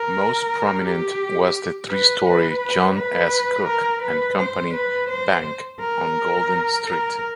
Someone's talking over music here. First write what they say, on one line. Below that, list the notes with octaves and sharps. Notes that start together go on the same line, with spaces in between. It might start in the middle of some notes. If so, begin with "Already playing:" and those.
Most prominent was the three-story John S. Cook and Company Bank on Golden Street.
Already playing: A#4
G4
B4
B4
B4
A#4
B4
C5
B4
C5
A#4
A#4